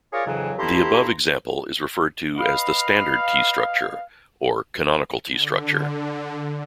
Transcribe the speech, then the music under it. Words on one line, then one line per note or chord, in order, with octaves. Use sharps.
The above example is referred to as the "standard t-structure" or "canonical t-structure".
F4 G#4 A#4 C#5 D5
F2 G#2 C#3 E3 F#3
G2 A3 E4 G4 A#5 C6
B4 D#5 F5 B5
D3